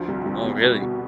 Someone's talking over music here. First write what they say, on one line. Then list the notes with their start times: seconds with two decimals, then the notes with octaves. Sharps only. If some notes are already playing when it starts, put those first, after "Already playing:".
Oh, really?
Already playing: D2 F3
0.08 C2
0.26 C2
0.44 B3
0.63 B2
0.82 B2